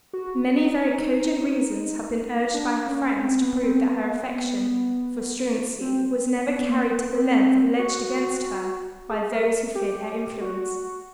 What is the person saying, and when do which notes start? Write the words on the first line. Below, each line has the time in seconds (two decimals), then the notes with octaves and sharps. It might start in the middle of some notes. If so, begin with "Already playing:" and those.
Many very cogent reasons have been urged by her friends to prove that her affection for Struensee was never carried to the length alleged against her by those who feared her influence.
0.13 F#4
0.57 D#4
2.54 D4
2.87 C#4
3.20 C4
3.41 B3
3.63 C4
3.85 B3
4.08 A#3
4.17 B3
5.81 C4
6.47 B3
6.69 A#3
6.91 B3
7.13 C4
7.79 F#4
9.10 G#4
9.32 A#4
9.75 G4
10.41 F#4